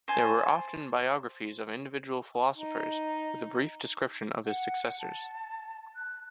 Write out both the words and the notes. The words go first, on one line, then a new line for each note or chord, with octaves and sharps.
There were often biographies of individual philosophers with a brief description of his successors.
C5 G#5 A5
D#4
F#5
A5
F#6